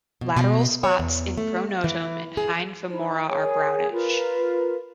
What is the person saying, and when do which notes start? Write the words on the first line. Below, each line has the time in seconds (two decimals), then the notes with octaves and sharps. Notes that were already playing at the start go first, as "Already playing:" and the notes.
Lateral spots in pronotum and hind femora are brownish.
0.21 B2
0.36 B2
0.84 C#5
0.99 E2
1.38 A3
1.84 E3
2.37 G#4
2.89 D#4 E4 C5
3.28 G#4 A#4 C#5 G#5
3.91 F4 A#4 B4